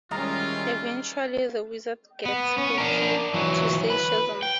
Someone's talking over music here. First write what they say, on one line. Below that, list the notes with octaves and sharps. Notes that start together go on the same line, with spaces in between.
Eventually the Wizard gets Hoppy to say Shazam!
D#3 G3 G#3 C#4 E4 F4 D#5 A#5
B3
C#4
D4 A#4
E3 F#3
B4
G5